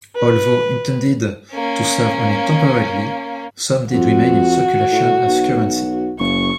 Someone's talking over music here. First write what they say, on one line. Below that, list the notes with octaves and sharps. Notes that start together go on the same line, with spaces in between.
Although intended to serve only temporarily, some did remain in circulation as currency.
B4
A#3 C#4
F2 F#4
A2
B1
F#1 C#6